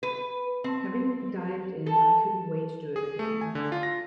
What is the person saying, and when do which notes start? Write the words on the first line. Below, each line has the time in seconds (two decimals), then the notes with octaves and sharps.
Having dived in, I couldn't wait to do it again.
0.03 B4
0.64 C4
1.86 A4
2.96 G#4
3.19 A3
3.41 G#5
3.55 D3
3.72 F4
3.83 A#6